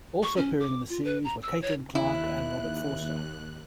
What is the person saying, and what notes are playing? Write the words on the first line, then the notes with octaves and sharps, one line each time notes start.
Also appearing in the series were Caitlin Clarke and Robert Forster.
C#6
C#4
D6
F4
B4
A#5
E6
C#5
D#2 E4 F#6